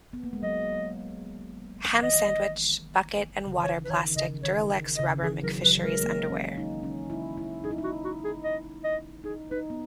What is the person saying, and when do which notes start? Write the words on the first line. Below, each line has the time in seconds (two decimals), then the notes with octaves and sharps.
Ham sandwich, bucket and water plastic Duralex rubber McFisheries underwear.
0.13 B3
0.24 A#3
0.33 G#3
0.43 F#3 D#5
1.93 E3
2.03 D#3 D#5
3.47 C#3
3.55 D#3
3.63 E3 C#5
3.85 B4
3.90 D#3 C#5
4.16 C#3 D#5
4.43 D#3 C#5
4.97 C#3 D#5
5.11 D#3
5.23 E3 G#4
5.43 F#3 A#4
5.63 F#3 B4
5.78 F#3
5.83 G#3 A#4
6.04 A#3
6.30 C#4
6.57 D#4
6.83 C#4
7.10 E4
7.37 E4
7.64 D#4 G#4
7.71 E4
7.78 D#4
7.84 F#4
8.04 F#4
8.24 G#4
8.44 D#5
8.84 D#5
9.24 D#4 G#4
9.51 D#4 B4
9.70 B3